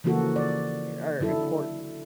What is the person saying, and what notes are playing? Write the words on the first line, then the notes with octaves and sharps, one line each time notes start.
are important
C#3 E3 F3 A#3 F#4 A4
D5
D3 F#3 E4 A4